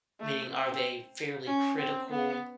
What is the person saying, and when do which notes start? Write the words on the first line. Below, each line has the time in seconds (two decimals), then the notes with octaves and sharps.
Meaning, are they fairly critical
0.20 A3
0.52 C4
1.47 C#4
1.78 C4
2.10 B3